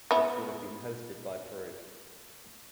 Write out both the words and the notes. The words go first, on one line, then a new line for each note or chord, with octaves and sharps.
It would have been hosted by Peru.
B3 E4